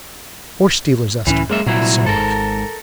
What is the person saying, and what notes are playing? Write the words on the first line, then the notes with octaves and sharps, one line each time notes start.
Horse-dealer's estimate, so much.
C#2 A2 E3 C#4
F#2 G#3 A#3 E5
C2 A#2 F#3 E4
G#1 G#2 A4 A#4